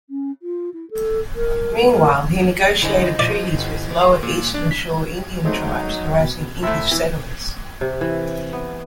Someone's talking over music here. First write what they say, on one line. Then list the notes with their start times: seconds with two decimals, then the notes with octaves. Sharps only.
Meanwhile, he negotiated treaties with Lower Eastern Shore Indian tribes harassing English settlers.
0.10 C#4
0.42 F4
0.73 E4
0.90 A4
1.35 A#4
1.94 A#4
2.82 D3 E4 C5 D#5 G#5
3.19 F3 D5
3.57 G1
4.01 C6
4.23 A#2
4.54 D4
4.71 B6
5.45 F#3 G#3 A3 C4 D#4
6.19 B2 B5
6.63 C3 A3 E4 E5
6.92 E3
7.81 C3
8.01 E3
8.53 B3